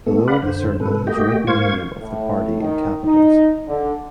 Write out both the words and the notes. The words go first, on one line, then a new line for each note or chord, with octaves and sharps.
Below the circle is written the name of the party in capitals.
A3 B3 A4
B4 D5 F5 F#5 B5
F#2 D3 C5
G#2 C3 A4 B4
A3 A#3 F#4 G4 D#5 G5
G#2 A#3 C5 F5 C#6 G#6
A2
D#3
D#4
D3